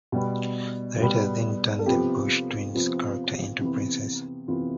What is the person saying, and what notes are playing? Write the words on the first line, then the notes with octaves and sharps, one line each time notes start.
The writers then turned the Bush twins character into Princess.
B2 G3 B3
B2 G3 B3
A4
C3 F3 B3 G4
C3 F3 B3
C3 E3 B3
C3 E3 B3 F4